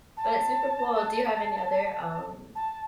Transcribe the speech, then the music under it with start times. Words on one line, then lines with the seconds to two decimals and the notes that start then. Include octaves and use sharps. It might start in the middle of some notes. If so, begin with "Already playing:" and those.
but super cool. Do you have any other, um,
0.17 A5
2.55 A5